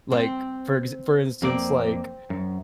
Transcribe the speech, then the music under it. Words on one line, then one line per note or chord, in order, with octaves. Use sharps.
like, for ex for instance, like,
C4
F2 A#3 C4 D5
F#2